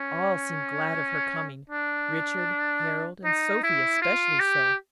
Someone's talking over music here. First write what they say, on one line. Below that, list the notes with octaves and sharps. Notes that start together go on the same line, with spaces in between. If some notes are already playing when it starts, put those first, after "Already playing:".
All seemed glad of her coming, Richard, Harold, and Sophy especially so.
Already playing: C#4
D4
D#4
E4
F4
G4